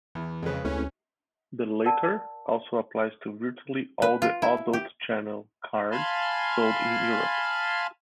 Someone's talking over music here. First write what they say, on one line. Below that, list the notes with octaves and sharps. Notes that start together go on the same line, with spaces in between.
The latter also applies to virtually all the Adult channel cards sold in Europe.
E2 E3
F2 C#3 G#3 B4
D2 A3 C4 C#4 E4
A#4 D5 F#5 A5
B4
F4
E4
G4
F5 G#5 A5 B5 C6 F6